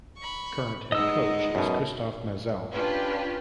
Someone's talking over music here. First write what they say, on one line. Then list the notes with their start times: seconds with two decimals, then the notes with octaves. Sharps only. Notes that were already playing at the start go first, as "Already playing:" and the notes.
Current head coach is Christophe Mazel.
0.18 B5 C#6
0.92 G#3 B3 D#4 D#5 E6
1.55 F#2 B2
2.73 C#4 D4 F4 G4 B4